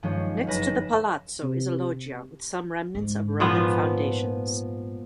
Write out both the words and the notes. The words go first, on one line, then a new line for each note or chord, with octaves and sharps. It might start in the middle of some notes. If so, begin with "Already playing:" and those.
Next to the Palazzo is a loggia with some remnants of Roman foundations.
G2 D#3 F3 G#3 C#4
F#1 B4 A#6 E7
C3
G#2
A#2 F3 B3